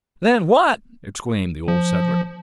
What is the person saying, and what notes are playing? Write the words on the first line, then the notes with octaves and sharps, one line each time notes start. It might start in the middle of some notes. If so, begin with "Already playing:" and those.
"Than what!" exclaimed the Old Settler.
F3